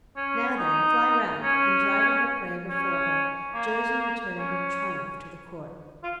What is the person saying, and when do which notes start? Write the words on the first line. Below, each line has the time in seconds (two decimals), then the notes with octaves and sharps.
Now then, fly round'; and driving her prey before her, Josie returned in triumph to the court.
0.16 C#4
0.59 D#4
1.43 C#4
2.70 C#4
3.55 A#3
4.38 C#4
6.04 F4